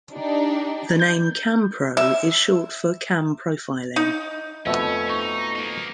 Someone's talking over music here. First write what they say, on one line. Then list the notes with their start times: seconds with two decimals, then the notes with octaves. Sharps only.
The name "CamPro" is short for "Cam Profiling".
0.11 D4 D#4 G4 D5
0.99 G6
1.97 E5
3.96 D#4
4.66 F2 B2 A3 C#4 E5 E6
5.10 D#4 C#6
5.56 A#3 D#4